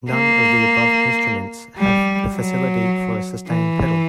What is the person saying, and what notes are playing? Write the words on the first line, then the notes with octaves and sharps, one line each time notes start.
None of the above instruments have the facility for a sustain pedal.
A#3
G3
F#3
E3